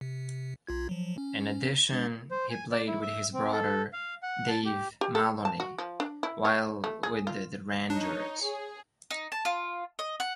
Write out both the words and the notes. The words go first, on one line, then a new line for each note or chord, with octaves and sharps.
In addition, he played with his brother Dave Maloney while with the Rangers.
C3
B1 F4 G#6
F3 F#3
C#4
G#3 D4 A6
C5
G#5
D5
E4
E5
C4
A4
F5
F#5
A5
G4
G4
A4
A5
F#4
F3
D4
E4
C#5
A3
G#4
F4
D4 D#4 C#5
G#4
D#4
A5
F4
D#5
F#5